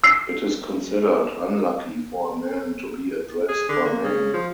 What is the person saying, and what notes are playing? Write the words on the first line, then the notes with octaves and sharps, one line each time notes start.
It is considered unlucky for a man to be addressed by name.
E6 C7
G#4
D3
A#3
C#3
F3